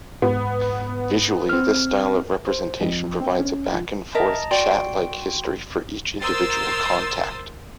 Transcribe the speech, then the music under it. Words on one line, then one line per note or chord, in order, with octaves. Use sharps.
Visually, this style of representation provides a back-and-forth chat-like history for each individual contact.
G#2 B3
C4 F6
C5
F2
C4
C#4
F3
A#4 D#5 E5 A5 A#5
F#4 D5 G5 C6
A#4 C5 C6 D#6 E6 A6